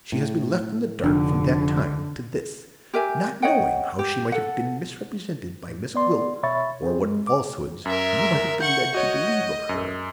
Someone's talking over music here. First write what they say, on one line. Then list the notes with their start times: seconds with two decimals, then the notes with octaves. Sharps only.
She has been left in the dark from that time to this, not knowing how she might have been misrepresented by Miss Gwilt, or what falsehoods you might have been led to believe of her.
0.12 A2
1.04 F1 D3 D4
2.94 G4 A#4 E5 G#5
3.42 C#5 D#5 F#5 G5
3.99 G4
4.32 A4 F#5
5.68 A2
5.94 B3 D5 C6
6.43 B2 C#5 E5 B5 C#6 A6
6.83 C4 G#4 C5
7.01 G2 G#3
7.27 D6
7.86 F#2 A#4 E5
8.60 F#5 C#6 G6
8.95 F#4 C#5 D#5
9.69 F#2